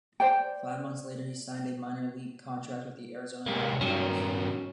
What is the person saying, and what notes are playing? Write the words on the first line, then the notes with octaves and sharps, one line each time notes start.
Five months later, he signed a minor league contract with the Arizona Diamondbacks.
C5 D5 G5
C#2 C3 A#3
G2 D#3 F#3 C#4